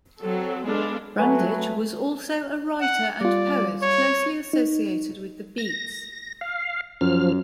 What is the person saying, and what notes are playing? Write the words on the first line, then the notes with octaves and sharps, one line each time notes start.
Brundage was also a writer and poet closely associated with the Beats.
F#3 C4 A4
G#3 B3 D4 A4 F5
F#3 A3 B4 G#5
F#5
G3 F4 D5
C#5
D#4
A#6
F5
F#2 F3 F6